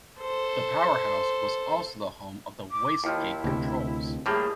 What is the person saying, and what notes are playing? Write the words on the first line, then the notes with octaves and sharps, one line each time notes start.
The powerhouse was also the home of the waste gate controls.
A4 C5
D6
D#2 F3 E4
D2 C3
A2 G3 A#3 G#4